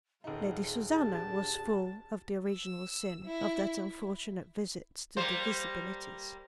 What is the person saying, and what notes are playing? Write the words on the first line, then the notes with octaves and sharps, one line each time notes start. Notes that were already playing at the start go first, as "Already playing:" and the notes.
Lady Susanna was full of the original sin of that unfortunate visit to the Disabilities.
D#1 D#4 F4 G#4
D4 G4 A5
E6
E4
G3 A#3 C5